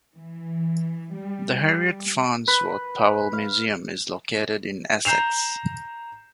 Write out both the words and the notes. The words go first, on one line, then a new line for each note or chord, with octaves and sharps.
The Harriet Farnsworth Powell Museum is located in Essex.
E3
G3
B4
F5
A#5 G6 C7 E7 F7